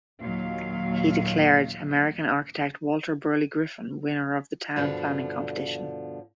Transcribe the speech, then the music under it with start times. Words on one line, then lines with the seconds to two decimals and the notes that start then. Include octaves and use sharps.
He declared American architect Walter Burley Griffin winner of the town planning competition.
0.21 D#2 A#2 F#3 F5
4.76 G2 B2 D3 F3